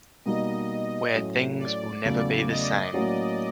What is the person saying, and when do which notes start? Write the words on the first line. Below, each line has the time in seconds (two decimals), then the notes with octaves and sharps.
Where things will never be the same.
0.25 B2 G3 A#3 D#4 D#5
1.15 A2 F#3 A3 C#4
1.59 D5
2.04 E2 C#3 F#3 A3 D5
2.48 D#5
2.93 A2 F#3 A#3 C#4 F#4